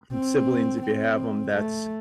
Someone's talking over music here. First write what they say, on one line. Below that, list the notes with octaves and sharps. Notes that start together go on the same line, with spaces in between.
and siblings, if you have 'em, that's
C4
C4
A3